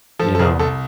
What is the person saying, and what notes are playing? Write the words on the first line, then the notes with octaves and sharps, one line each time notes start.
you know,
F3 A4
A4
C2 G#4 A#4
C2 A4